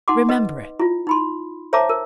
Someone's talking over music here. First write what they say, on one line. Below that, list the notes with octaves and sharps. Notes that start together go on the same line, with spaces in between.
Remember it.
D#4 F#5 C6 D6
B4 D#5
E4 F4
D#4 B5 C6
C5 C#5 E5 A5 A#5 D6
A#4